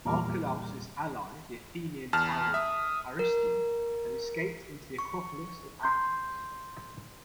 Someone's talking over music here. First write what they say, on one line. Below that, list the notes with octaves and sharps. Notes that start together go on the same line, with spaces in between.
Archelaus' ally the Athenian tyrant Aristion had escaped into the Acropolis of Athens.
E2 A#2 G3 A#5 D6 F6
E2 A5 F6
E5 D#6
A#4
C#6
C6 G6